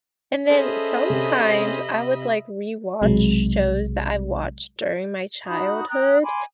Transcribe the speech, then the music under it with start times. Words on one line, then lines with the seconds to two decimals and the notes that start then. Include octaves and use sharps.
and then sometimes, I would, like, rewatch shows that I watched during my childhood,
0.50 C#4 G#4 A4 C5 D#5 E5 B5
1.10 C3 G4
3.02 B1 C3 F#3 G#3
5.47 D#4 F#4 B5 D#6
5.89 G5 A#5 D#6 F#6
6.23 G#5 B5 C6 D6